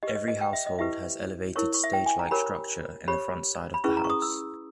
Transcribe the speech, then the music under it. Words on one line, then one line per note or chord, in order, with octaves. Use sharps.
Every household has elevated stage like structure in the front side of the house.
G4 B4 D#5
D#5
D#5
G5
E5
D#5
E4 G4 B4 E5
E4 A#4 C#5 C#6
C#6
E5
G5
G#5
A#5
G4 A#4 C#5 B5
G4 C#5 B5
B5
C#4 E4 G#4 B4 C#6
A#5
C#6
D#6
E6